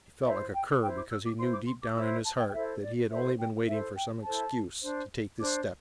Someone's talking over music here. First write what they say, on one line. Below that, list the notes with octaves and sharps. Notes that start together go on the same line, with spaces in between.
He felt like a cur, because he knew deep down in his heart that he had only been waiting for some excuse to take this step.
E4 C5 E5
G5
E4 C5 G5
D6
E6
D6
E4 C5 C6
D6
C6
D6
E4 C5 E6
A5
G5
G5
E4 A4 C5 E5
D5
E4 A4 C5 E5
G5
E4 A4 C5 E5
G5
E4 A4 C5 A5
D4 C5
D4 C5 D6